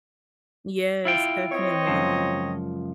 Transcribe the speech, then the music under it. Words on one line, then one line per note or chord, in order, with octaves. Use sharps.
Yes, definitely.
E4 F4 G5
C4 C#5 D#5
C#2 F#2 F3